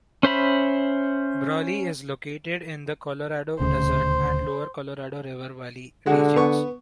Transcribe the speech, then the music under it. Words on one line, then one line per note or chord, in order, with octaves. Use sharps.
Brawley is located in the Colorado Desert and Lower Colorado River Valley regions.
C#4 C5 E5 B5
D#1 D2 C#3 C5
D3 G#3 F#4
B3 C#6